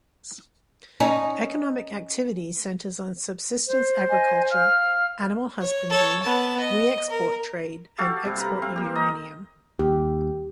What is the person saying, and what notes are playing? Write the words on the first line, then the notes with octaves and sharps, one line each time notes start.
Economic activity centres on subsistence agriculture, animal husbandry, re-export trade, and export of uranium.
C#4 D#4
C5
D#5 G#5
F5 F6
C#5
A4 C#5
B3 A5
D#5
A#4
F#4 G4 A4 F5
C3 G3
B4 A#5
C4 F5
A#3 G4
D#5 A#5
D#2 G4